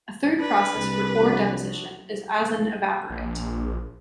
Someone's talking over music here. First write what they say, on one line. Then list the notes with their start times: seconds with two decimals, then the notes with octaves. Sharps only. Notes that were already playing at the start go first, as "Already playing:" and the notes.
A third process for ore deposition is as an evaporite.
0.40 D4 B4
0.76 C2
1.21 F3 D4 F#4
3.10 A#1